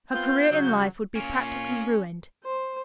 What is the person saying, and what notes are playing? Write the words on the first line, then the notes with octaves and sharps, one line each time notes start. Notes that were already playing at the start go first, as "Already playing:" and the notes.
Her career in life would be practically ruined.
B3 C4 F4 G6
C#3 F#3
A#3 C#4 F4
C5